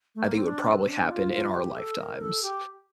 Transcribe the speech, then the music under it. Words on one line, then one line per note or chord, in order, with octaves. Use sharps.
I think it would probably happen in our lifetimes.
A3
A#3
C4
D4
C4
D4
F4
F4
F4
G4
A4
A#4
A4
G4